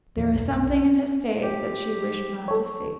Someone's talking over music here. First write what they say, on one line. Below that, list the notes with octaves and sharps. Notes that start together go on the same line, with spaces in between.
But there was something in his face that she wished not to see.
E2 A#2
B1 F#2
G4
A4 C#5